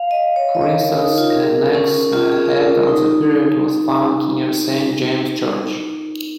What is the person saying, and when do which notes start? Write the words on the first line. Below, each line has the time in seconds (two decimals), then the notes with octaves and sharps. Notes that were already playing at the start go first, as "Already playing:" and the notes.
For instance an axe head of the period was found near Saint James' Church.
Already playing: F5
0.11 D#5
0.36 C#5
0.55 D#5
0.61 C#5
0.80 A#4
0.99 D#4
1.18 F4
1.30 A#4
1.37 G#4
1.75 C#4
2.13 F4
2.32 G#4
2.46 G#4
2.51 A#4
2.70 G#4
2.88 D#4